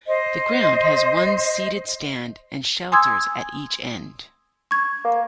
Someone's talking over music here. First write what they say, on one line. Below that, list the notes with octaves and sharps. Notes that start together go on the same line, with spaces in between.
The ground has one seated stand and shelters at each end.
C5 D#5
G#5 C6 D#6 E6 G#6
C#6 G#6
A#3